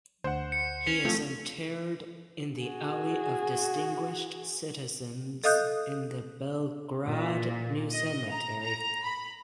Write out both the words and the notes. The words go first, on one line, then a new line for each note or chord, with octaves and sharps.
He is interred in the Alley of Distinguished Citizens in the Belgrade New Cemetery.
D2 C5 F#5
C#7
C#4 F7
F3 A3 C4
F#4 G#4
A4 D#5 F5 D#6 F#6 G6
A#2
D#5
A#5
A#5
B5